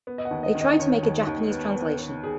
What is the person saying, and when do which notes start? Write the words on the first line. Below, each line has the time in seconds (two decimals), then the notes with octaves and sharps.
They tried to make a Japanese translation.
0.07 B3
0.18 D#5
0.25 F#5
0.31 D#2
0.43 D#5
0.55 D#3
0.61 D#5
0.80 D#3 C#5
1.03 D#2
1.27 D#2
1.51 B3
1.76 B3
1.99 B3
2.24 G#4